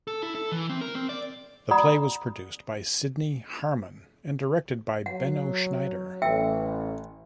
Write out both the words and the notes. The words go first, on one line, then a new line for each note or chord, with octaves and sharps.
The play was produced by Sidney Harmon and directed by Benno Schneider.
A4
E4
A4
E3
C4
A#4
C4
D5
D5 F#5 G#5 A#5 B5 D#6
F#3 F#5
A1 E5 G5 E6